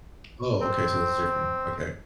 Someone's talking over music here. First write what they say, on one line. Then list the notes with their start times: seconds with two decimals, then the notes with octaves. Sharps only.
Oh, okay. So this is different. Okay.
0.61 C4